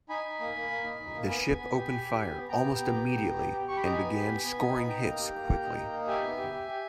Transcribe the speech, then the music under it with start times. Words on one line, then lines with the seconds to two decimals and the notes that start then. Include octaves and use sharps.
The ship opened fire almost immediately and began scoring hits quickly.
0.09 D#4 G#5 B5
0.24 D#4
0.40 A#3
0.54 A#3
0.69 A#3
0.84 D#4
1.00 D#4
1.14 A#3
1.29 B3 G#5 B5
1.44 B3
1.59 B3
1.74 G4
1.89 G4
2.04 G4
2.19 G4
2.34 B3
2.49 B3 G5 A#5
2.64 G4
2.79 B3
2.94 G4
3.09 G4
3.23 B3
3.38 G4
3.53 G4
3.68 G4 C#6
3.77 B5
3.83 D#4 A#5
3.92 G#5 B5
3.98 B3
4.13 G4
4.28 B3
4.43 B3
4.58 D#4
4.74 B3 B5
4.88 D#4 G5 A#5
5.03 A#3
5.18 G4
5.33 A#3
5.47 G4
5.63 D#4
5.78 A#3
5.93 D#4
6.07 G4 E5 G#5
6.23 B3
6.38 G4
6.52 G4
6.68 G4